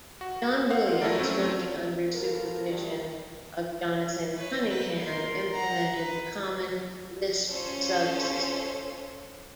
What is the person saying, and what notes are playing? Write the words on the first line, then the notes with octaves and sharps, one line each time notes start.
John Williams, working under supervision of Jonathan Cunningham implemented the Common Lisp subsystem.
F#4
C5 F5 F#5
F#3 A3 E4 A4 A#4 D5
F#3 A3 C4 C#4
B2 F4 A4 A#4
G2
B4 C#5
B4
A#4 C6
F#5 A#5
B4
C#4 F4 A4 C5 C#5